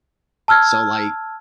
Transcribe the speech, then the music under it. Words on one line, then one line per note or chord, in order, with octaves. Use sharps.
So, like
A5 E6 F6 G#6